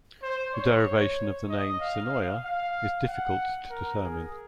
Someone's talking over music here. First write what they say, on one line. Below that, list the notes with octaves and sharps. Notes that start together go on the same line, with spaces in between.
The derivation of the name "Senoia" is difficult to determine.
C5
C#5
D#5
F5
F5
F5
F#5
A#4
G#4